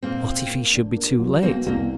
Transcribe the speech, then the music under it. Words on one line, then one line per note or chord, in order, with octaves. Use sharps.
What if he should be too late?
A#2 A#3 C4
A#2
A#3
D4
A#3
F#3
B2 A#3 C4
C2 A#3 C4